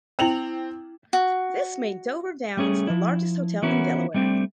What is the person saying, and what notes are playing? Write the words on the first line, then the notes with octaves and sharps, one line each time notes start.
This made Dover Downs the largest hotel in Delaware.
C4 E4 G5 F7 F#7
F#4
G3 A3 C#4 G#4
F3 E4
E3 B3 C#4 E4 F#4 A#4
G3 A3 C4 D4